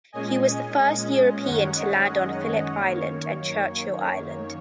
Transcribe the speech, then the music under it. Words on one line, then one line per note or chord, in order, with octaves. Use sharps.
He was the first European to land on Phillip Island and Churchill Island.
A#2 G#3 C#4 D#5 G#5
D#5 G#5
F#2 D#3 G#3 C#4 C#5 F#5
D#5
D#5
F#2 D#3 A#3 C#5